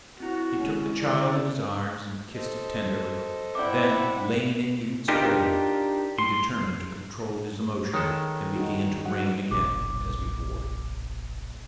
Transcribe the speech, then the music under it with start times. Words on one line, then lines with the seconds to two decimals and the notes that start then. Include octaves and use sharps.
He took the child in his arms and kissed it tenderly; then laying it in its cradle, he determined to control his emotion and began to reign again as before.
0.20 C4 E4 F#4
0.59 G#3 C#4
1.01 D3 D5
2.35 A4 C5 D#5
3.55 C4 E4 D5 E5 F#5 D6
5.08 D4 D#4 F4 G4 A#4
6.19 C6
7.94 D#3 G#3 A4 C#5
8.56 D#4 F#4
9.06 F#3 F#5
9.51 F#1 B1 A#2 D6